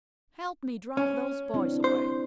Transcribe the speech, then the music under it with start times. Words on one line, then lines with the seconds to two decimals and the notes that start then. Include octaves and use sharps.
"Help me drive those boys away."
0.97 C#4
1.54 C4 D4 E4
1.84 C5